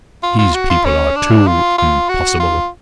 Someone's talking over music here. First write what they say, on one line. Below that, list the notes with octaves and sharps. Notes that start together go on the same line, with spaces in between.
These people are too impossible.
F4
F4
F#4
F4
C#4
D4
F4
F4
F#4
F4